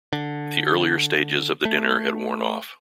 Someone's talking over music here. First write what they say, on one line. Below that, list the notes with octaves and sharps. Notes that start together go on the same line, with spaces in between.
The earlier stages of the dinner had worn off.
D3
A3